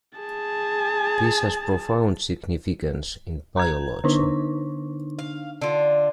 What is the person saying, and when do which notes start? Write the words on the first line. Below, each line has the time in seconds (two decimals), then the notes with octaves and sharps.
This has profound significance in biology.
0.19 G#4 A5
3.57 A#5 G#6
4.04 D3 D4 D#4
5.19 F5
5.61 D3 F4